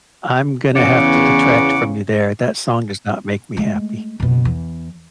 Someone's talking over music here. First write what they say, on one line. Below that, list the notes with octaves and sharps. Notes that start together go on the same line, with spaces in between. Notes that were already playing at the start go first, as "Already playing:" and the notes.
I'm gonna have to detract from you there, that song does not make me happy.
E2 C#3 C#4 F#5 D6
G#3 A3
F#1 B2
E2